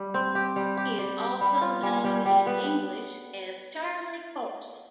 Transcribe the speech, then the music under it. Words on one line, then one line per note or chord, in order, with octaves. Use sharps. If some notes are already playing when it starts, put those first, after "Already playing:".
He is also known in English as "Charlie Corsey".
Already playing: G3
C4
G4
G3
G4
G3
G4
G3 B5
F4
G3 G#5
G3
G3 G5
B3